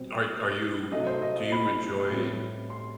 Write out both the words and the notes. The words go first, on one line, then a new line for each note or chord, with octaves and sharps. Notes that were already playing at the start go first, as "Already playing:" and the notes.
Are are you do you enjoy
Already playing: B2 G3 C4 C5
C3 F#3 A3 D#5
C5
D#5
D#5
B5
A2 G3 C4
C6